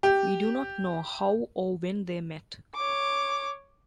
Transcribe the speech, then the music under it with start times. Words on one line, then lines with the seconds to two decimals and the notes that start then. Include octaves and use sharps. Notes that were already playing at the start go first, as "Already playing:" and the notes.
We do not know how or when they met.
0.03 G4
2.76 C#5 D6